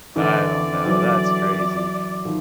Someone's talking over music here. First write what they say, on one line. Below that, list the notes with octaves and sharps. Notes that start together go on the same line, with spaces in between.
I don't know, that's crazy.
D3 E3 D5
D5
E3 F#3
D#3 F3